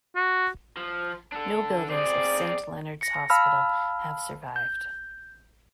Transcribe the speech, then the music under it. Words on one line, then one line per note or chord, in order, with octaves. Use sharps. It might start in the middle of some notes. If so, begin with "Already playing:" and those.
No buildings of Saint Leonard's hospital have survived.
F#4
F3
D4 A4
C4 G#4 D5
A#6 C#7
F5 A5 B5 E6 F6
G6